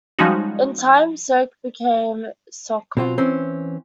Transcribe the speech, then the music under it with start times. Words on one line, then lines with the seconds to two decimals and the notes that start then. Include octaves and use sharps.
In time, "Soke" became "Socon".
0.19 F3 G3 G#3 C#4 D#4 F#4
2.97 B2 C4 F4
3.18 E3 C4 C#4